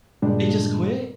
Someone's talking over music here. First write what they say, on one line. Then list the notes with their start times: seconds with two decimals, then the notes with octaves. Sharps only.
They just quit?
0.22 G2 A#2 C#3 G3 G#3 D4